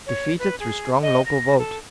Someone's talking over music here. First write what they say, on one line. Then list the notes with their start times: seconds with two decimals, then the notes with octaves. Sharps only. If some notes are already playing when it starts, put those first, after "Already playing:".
Defeated through strong local vote.
0.07 C#5
0.39 B4
0.60 G#4
1.02 D#5
1.26 A#6
1.59 A4